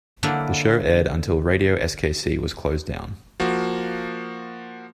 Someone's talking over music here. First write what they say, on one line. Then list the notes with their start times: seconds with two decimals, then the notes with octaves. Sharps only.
The show aired until radio skc was closed down.
0.23 D3 F#3 A#3 D4 E4 B4
3.40 F3 A#3 F#4